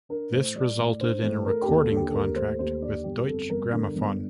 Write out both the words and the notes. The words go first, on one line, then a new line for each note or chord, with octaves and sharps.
This resulted in a recording contract with Deutsche Grammophon.
D4 A#4
A2 C5
G3 D5
A2 D5
D4 C5
A2 C5
A3 A#4
G4
D#2
A4
D3
G4
A4
D#2 A#4
A3 C5
D#2 C5
D3 D5
G1 G4
F2 A4
G1 A#4
D3
G1